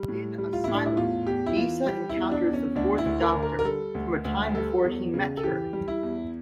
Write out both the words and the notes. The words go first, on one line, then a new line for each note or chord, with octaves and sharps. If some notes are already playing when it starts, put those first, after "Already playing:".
In "Asylum", Nyssa encounters the Fourth Doctor from a time before he met her.
Already playing: G3
A2
G3
F4
A2 E4
D4
E4
E2 F4
E2 G4
E4
E3 F4
G3 G4
E4
E2
D4
E2
C#4
D2 D4
E4
D2
A#4
D3
A#4
A#4
G3 A4
D2
D2
G3 A4
E2
C#3
A4
E3 G4
G3
E4
E2